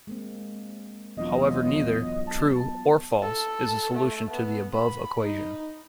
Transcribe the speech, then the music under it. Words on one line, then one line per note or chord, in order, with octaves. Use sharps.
However neither "true" or "false" is a solution to the above equation.
G#3 A#3 C4
E1 F#3 F4 D#5
B3 A5
A4
A3
B3
B5
D#4